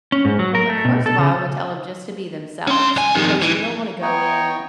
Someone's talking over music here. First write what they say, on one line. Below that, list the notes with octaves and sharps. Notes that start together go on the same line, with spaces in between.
Um, first of all, I would tell 'em just to be themselves, because you don't wanna go in
C#4
G#2
F#3
A#4
A3
B2
A4
C#3
C#4 C6
C#2 G#5
F2 D#3
E3
B3 C#5 D#5 G5 A#5